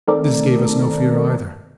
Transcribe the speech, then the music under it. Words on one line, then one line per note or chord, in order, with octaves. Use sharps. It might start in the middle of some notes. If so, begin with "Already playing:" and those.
This gave us no fear either.
D#3 A3 C4 A4 A#4 D5